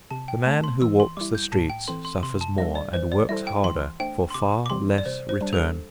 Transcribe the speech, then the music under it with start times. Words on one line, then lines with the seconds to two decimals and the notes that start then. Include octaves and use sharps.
The man who walks the streets suffers more, and works harder, for far less return.
0.11 C3 A5
0.28 G5
0.46 A3 C4 A5
0.64 C6
0.82 E3 E6
1.00 C6
1.17 G3 E4 D6
1.35 G6
1.52 A2 A5
1.70 G5
1.88 E3 C4 A4 C6
2.05 C6
2.23 C3 C6
2.41 A5
2.58 G3 D4 A4 E5
2.75 D5
2.94 E3 C5
3.12 D5
3.29 G3 E4 A4 C5 E5
3.47 G5
3.64 E3 C6
4.00 A3 D4 C5 G5
4.30 C6
4.34 C3 D6
4.66 D6
4.70 E3 G3 C4 G4 C6
4.98 D5
5.06 C3 C5
5.29 C5
5.41 G3 D4
5.53 A4